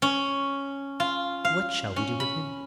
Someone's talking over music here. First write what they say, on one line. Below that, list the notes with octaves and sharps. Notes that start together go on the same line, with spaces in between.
"What shall we do with him?"
C#4
F4
F5
C#4
B5